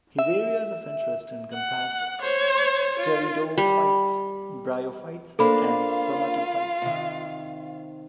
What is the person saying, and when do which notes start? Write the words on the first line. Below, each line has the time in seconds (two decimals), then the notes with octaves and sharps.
His areas of interest encompassed Pteridophytes, Bryophytes and Spermatophytes.
0.19 E5
1.53 F#5
2.21 C5 C#5
2.99 F4
3.58 G3
5.39 A#3 D4 F4 A4 C5 F5 B5
6.82 C3 D#3